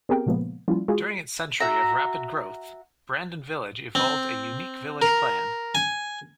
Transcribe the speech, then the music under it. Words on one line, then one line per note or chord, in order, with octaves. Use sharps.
During its century of rapid growth, Brandon Village evolved a unique village plan.
B3 C4 G4 G#4 A#4 G5
A#2 C#3 F3 G#3 A#3 B3
F3 G3 A#3 C#4 E4 F4
G#3 F4 F#4 G#4
F#4 E5 A#5
C4
A#4
G#5